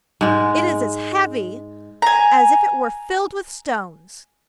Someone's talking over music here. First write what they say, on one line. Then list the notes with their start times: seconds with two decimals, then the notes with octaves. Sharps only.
It is as heavy as if it were filled with stones!
0.21 G#2 G#3
2.02 G#5 A#5